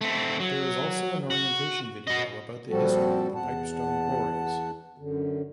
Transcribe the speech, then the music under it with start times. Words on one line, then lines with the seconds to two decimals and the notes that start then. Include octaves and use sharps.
There is also an orientation video about the history of the pipestone quarries.
0.01 A3 C4
0.40 F#3
1.30 F#4
2.07 F#4 D#5
2.70 A#2 F3 G3 C4 F#4 A4
3.35 E2 F#5 A5
4.98 F#2 D3